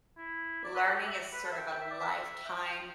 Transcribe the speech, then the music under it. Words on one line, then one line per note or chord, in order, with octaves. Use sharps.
learning is sort of a lifetime,
E4
D5
B4
A4
G4
E5
B4
A4
E5
G5
G5
E5
D5
E5
G5
G5